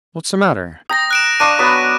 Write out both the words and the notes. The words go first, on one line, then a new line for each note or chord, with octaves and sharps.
"What's the matter?"
G5 A#5 D#6 A#6
F#6 D7 E7
D4 D#5 F5 C#6 D#7
F#3 B3 B5